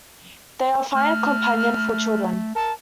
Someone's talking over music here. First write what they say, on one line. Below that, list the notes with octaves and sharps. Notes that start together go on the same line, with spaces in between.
They are fine companion for children.
A3 F6
A#4 A5